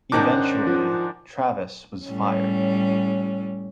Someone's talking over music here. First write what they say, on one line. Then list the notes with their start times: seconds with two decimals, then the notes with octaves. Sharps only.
Eventually, Travis was fired.
0.12 G#2 D#3 C#4 D4 C5 F#5 D6
0.67 F3
2.06 A2 G3 C#4